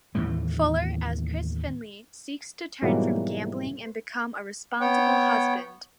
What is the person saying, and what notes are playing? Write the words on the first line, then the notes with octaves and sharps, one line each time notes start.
Fuller as Chris Finley seeks to turn from gambling and become a responsible husband.
D#2 A2 E3 A3
G#2 B2 E3 F#3 G3 A#3
B3 C#5 G5